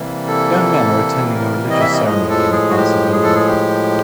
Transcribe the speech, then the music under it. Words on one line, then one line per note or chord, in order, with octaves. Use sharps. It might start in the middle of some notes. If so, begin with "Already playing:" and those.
Young men are attending a religious ceremony in a fancy building.
Already playing: C3 E3 G3 A#3
A4
A#4
D#5
E5
D#5
A2 F3 G#3 D#5
A4
G#4
F#4
G4
G#4
A4
G#4
G4